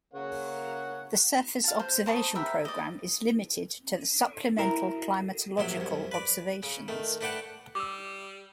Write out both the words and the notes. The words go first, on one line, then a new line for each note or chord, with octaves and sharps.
The surface observation program is limited to the supplemental climatological observations.
C#3 A#3 C#5 F#5
F5 A5
C5
C5 A5 C#6 D#6
G4 A#4 E5 B5
D5 D#5
E4 A#4
A#1 C3 F#3 E5 C6
C2 F#2
B4 D5
C#3
D#3 A3
A3 D4 B4 F#5 G5 A5
G3 D6 E6